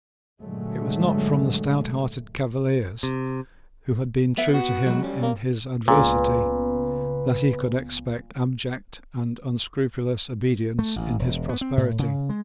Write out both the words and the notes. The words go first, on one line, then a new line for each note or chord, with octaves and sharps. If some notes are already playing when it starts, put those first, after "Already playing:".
It was not from the stouthearted Cavaliers, who had been true to him in his adversity, that he could expect abject and unscrupulous obedience in his prosperity.
G2 A#2 D3 F#3 G#3 A3
C3
B3 E5
F#4
F#3 G#3
G3 C#4
A#3
C#2 A#2 C#3 B3 B4
A3
A1
E1
B3
C4
A2
C#3
G#3